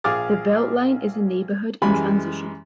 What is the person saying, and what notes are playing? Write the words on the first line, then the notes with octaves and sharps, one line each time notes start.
The Beltline is a neighbourhood in transition.
A#1 G#4 F5 D6 F6 A6
F#2 E3 G3 G#3 G#5 B5